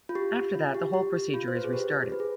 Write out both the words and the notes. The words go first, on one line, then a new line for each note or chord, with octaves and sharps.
After that, the whole procedure is restarted.
F4
G4
F4
G4
G4
F4
C5
B4
G#4
G4
B4
G#4